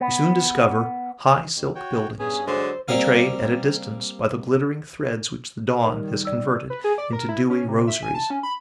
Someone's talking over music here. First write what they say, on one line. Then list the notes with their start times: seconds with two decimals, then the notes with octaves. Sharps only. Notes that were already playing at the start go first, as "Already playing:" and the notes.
We soon discover high silk buildings, betrayed at a distance by the glittering threads which the dawn has converted into dewy rosaries.
0.01 B3
1.55 F2
1.75 F#4 C#5 G5
2.19 G2 B3 C#4 G#4
2.48 D3 F#3 G#3 C5
2.88 G3 A#3 C4 G4 A#4 F5
5.85 D#3 G3 A#4
6.25 D5 E6
6.70 B4
6.84 G#4
6.98 D5
7.13 A#4
7.29 E4
7.50 C#4
7.68 C3
7.88 E5
8.03 G#5
8.15 A5
8.30 C#4
8.43 B5